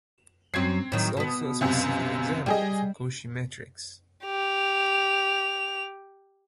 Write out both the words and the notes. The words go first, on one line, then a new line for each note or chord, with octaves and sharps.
It is also a specific example of a Cauchy Matrix.
F#2 F#3 C4 G#6 C7
A2 D#3 F#3
B2 B3
C#2 F#2 C3
G3 G4 G#4 D#5
G4 F7